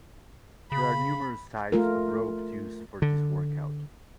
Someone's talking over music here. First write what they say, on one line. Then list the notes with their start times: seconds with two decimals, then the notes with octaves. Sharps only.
There are numerous types of ropes used for this workout.
0.72 C#3 B5
1.72 A3 F4 A#4
3.02 D3